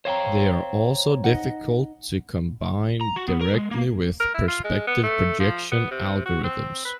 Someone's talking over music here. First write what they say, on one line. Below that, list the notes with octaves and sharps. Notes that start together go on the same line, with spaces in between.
They are also difficult to combine directly with perspective projection algorithms.
C5 C#5 F5 G5 A#5
D#4 D#5 F#5
A#5
F#4
B3
A#4
G#3
A#3
A#4
E4
F4
G#3
B3
A3
F3
B3
C3
F#4
C4
B4